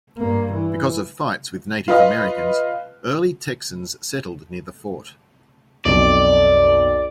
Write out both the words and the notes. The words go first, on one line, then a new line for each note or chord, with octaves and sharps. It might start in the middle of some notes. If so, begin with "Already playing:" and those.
Because of fights with Native Americans, early Texans settled near the fort.
G2 A#3
E3
F4 B4 D#5 F5
B1 F2 D5